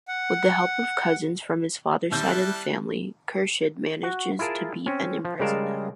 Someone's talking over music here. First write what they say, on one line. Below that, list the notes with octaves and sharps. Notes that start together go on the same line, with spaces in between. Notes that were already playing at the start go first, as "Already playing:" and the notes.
With the help of cousins from his father’s side of the family, Khurshid manages to beat and imprison them.
F#5
D#2 G3 E4 A5 E6 G6
F#6
F#4
E4 F4 G#4 A#4 A5
C4 C#4
F3
C#3 G3 G#3 A#4 F5 A5